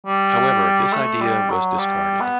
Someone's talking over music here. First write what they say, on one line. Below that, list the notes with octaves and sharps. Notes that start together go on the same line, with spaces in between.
However, this idea was discarded.
G3
A3
G3
F#3
G3
B3